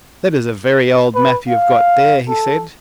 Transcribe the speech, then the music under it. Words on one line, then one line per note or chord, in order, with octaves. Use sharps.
"That is a very old map you have got there," he said.
B4
F5
A4